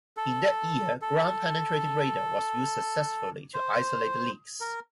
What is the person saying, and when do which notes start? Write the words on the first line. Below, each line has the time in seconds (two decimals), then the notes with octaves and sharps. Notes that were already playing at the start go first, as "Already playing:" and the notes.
In that year Ground-penetrating radar was used successfully to isolate the leaks.
0.17 A4
1.02 A4
3.54 C5
4.61 A#4